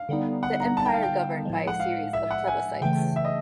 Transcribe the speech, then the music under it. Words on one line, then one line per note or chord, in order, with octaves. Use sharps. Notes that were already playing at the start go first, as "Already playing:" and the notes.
The Empire governed by a series of plebiscites.
Already playing: F5
D3 G3 B3 D#4
F#5
A#5
A5
G5
F5
G5
A2 F3 G#3
F#5
F5
E5
F#5
G#5
C#3 E3 A3 G5
E5
D#5